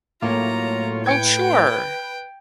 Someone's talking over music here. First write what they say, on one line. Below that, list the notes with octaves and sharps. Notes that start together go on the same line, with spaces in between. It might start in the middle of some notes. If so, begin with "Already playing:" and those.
Oh, sure.
A2 F#3 A#3 F4 C#5 A#5
B4 G5 G#6 C#7 D7